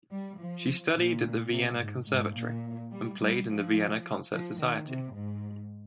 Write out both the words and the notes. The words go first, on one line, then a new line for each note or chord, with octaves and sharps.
She studied at the Vienna Conservatory and played in the Vienna Concert Society.
G3
F3
A#2
C3
G#2
G#2
A#2
G3
G3
F3
F3
D#3
C3
G#2